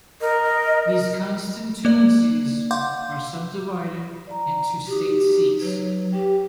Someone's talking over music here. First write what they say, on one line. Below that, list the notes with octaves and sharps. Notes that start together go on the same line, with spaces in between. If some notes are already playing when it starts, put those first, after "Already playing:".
These constituencies are subdivided into state seats.
A#4 D#5
A#3 D5
F5 F#5 C6 D6 G6
D5 A#5
D#4 F#4 G4
F#3 B4 C#5
G4 G5